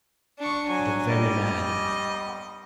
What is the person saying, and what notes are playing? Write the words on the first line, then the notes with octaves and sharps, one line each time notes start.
The very man.
D4 C#6
F#3 G#5
G3 D#5